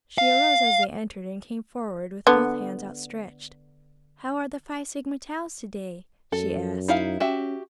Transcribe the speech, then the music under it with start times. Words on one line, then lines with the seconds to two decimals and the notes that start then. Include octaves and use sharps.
She arose as they entered and came forward with both hands outstretched. "How are the Phi Sigma Taus to-day?" she asked.
0.18 F5
2.27 D3 B3
6.32 F#2 A4
6.88 D#4 E4 F5
7.20 C#4 F#4 G4 E5